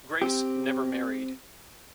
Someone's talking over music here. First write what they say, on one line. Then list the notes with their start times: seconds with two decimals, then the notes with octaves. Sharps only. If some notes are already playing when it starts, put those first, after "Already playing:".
Grace never married.
0.22 C4 G4